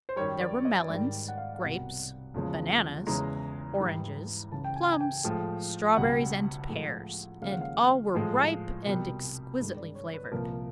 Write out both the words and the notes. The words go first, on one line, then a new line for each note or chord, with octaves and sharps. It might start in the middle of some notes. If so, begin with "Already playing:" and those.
There were melons, grapes, bananas, oranges, plums, strawberries, and pears and all were ripe and exquisitely flavored.
C5
F#2 D#3 G3 C#5
D5
D#5
G#2 D#3 G3 D5
F#5
F5
F5
C2 B2 G3 F#5
E2 C#3 F3 G#3
E2 C#3 E3 G#3 A#5
G#2 E3 G3
C#2 C#3 E3 A5
G5
G#5
G#5
G5
A2 F3 G#3
C#2 B2 G3 F#5
A2 F3 G#3
D#2 C#3 F3 G#3 F5
F#5
F5
A2 F3 G#3
C2 B2 G3
G2 D#3 G#3
D5
C#5
B4
B4
C2 A#2 F3 A#4